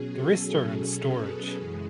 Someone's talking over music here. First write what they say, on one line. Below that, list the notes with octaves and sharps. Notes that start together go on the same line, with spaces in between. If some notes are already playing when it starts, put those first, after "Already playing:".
The rest are in storage.
Already playing: B2 F#3 C#4 G#4
A4
B4
F#2 C#3 E3 G#3 G#4